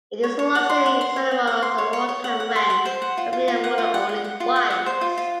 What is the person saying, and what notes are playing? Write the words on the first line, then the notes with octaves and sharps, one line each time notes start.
It is a largely ceremonial or wartime rank, having been awarded only twice.
C#5
C#5
F#5
C6
F#5
C6
C#5
F#5
F#5
C6
C#5
C#5
C#5
F#5
F#5
C6
F#5
C5
F#5
F4
F4
F4
F#5
F4
F#5
F#5
F#5
F4
F#5
F#5
C5
F4
F4